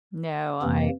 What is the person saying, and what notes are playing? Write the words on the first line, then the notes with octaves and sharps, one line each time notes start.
No, I
F2 C3 E3 A#3